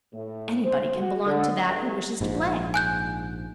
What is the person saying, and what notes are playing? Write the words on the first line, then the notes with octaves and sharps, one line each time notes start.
Anybody can belong to that who wishes to play.
A2
C5
F#4
D3
A1
A#1 G#2
G#5 F#6 G6